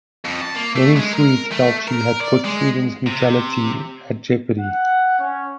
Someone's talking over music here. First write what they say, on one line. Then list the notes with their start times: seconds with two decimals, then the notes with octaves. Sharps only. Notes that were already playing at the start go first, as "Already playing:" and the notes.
Many Swedes felt she had put Sweden's neutrality at jeopardy.
0.25 F2
0.41 A5
0.56 A#3
0.76 A3
0.97 G#3
1.13 A#4
1.52 A3
1.88 A#4
2.21 D5
2.44 G#3
3.07 C3
4.59 F#5
5.19 C#4